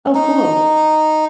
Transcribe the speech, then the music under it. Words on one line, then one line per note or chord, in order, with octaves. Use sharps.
Oh, cool.
D#4